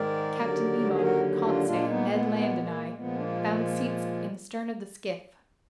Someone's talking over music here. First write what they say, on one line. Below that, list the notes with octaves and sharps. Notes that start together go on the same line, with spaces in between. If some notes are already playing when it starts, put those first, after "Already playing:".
Captain Nemo, Conseil, Ned Land, and I found seats in the stern of the skiff.
Already playing: G#2 D#3 G#3 A#4 D5
D#2 D3 F#3
G#4
F#4 A#4
D4 F4
A#2 G#3 D4 F4
B3 D#4
A#3
B3
B3
A#3
A#2 F3 G#3 B3
A#3 D4